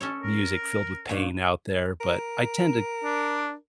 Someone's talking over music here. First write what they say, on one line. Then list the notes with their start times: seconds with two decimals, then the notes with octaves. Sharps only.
music filled with pain out there, but I tend to
0.01 C#4 A4 C#5
0.23 A#4
1.09 G2 A#2 C#5
2.01 A#4
3.04 D4